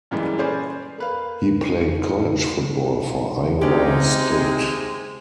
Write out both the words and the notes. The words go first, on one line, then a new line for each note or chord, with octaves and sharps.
He played college football for Iowa State.
F#2 A#2 E3 G3 G#3
C#4 G#4 B4 C5 D5 G#5
A#3 B4 F5
C#7
C3 G#3 C#4 D#4 G4